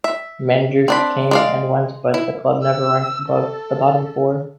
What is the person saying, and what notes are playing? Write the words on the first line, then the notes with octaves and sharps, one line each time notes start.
Managers came and went but the club never ranked above the bottom four.
E5
C4 D4 B5
G#3 D5 F5
E4
E6
A4